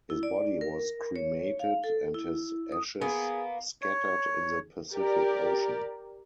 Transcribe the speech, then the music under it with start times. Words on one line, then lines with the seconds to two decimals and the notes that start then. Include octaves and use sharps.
His body was cremated and his ashes scattered in the Pacific Ocean.
0.10 E4
0.23 D5
0.61 A#4
1.16 C#5
1.59 F5
1.84 A4
2.14 E4
2.72 D#6
3.01 A#3 B3 G#4
3.82 C#5
4.95 G4 A#4 D5